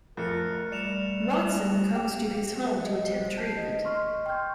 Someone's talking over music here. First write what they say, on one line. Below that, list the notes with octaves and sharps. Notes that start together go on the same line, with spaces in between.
Watson comes to his home to attempt treatment.
F2 A3 A#4 F#6 C#7
G3 D5 C#7 E7 F7
G4
D#5
C5
A5 G6 B6 C7
D#5
D#5 C6 C#6 F6
G5 C6 C#6 F6 G6 G#6